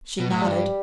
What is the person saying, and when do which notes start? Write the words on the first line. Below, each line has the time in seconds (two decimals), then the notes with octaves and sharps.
She nodded.
0.20 B2
0.30 A2
0.42 G2 G3